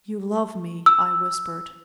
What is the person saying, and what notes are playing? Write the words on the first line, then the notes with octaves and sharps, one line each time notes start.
"You love me!" I whispered.
E6